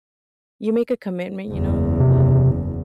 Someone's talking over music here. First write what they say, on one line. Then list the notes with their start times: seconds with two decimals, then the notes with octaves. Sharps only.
you make a commitment, you know, uh,
1.51 F#1 E2
2.00 C3